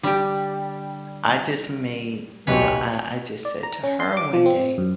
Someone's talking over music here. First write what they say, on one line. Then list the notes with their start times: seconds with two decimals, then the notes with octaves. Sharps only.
I just made you know, I I just said to her one day,
0.03 D3 G3 G4
2.47 D1 B1 G4 B4 C#5
3.45 D5
3.63 A#5
3.83 C#4
4.00 C6
4.17 D6
4.33 F3
4.46 C4
4.78 F#2